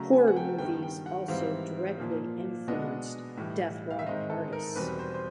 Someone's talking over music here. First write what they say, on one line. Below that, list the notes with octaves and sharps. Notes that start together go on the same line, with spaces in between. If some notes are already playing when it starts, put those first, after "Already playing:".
Horror movies also directly influenced deathrock artists.
Already playing: C#3 F#3 A3 A#5
G#5
F#5
G5
G2 D#3 G3 B3 G5
G5
F#5
G#2 E3 G3 C4 F5
A#2 F3 A#3
B2 G#3 B3 D4 D#5
A2 E3 G3
F5
E5
G#2 D#3 G#3 C4 D#4 D#5
A4
A#4
E2 B2 G3 C4 B4
C5
C5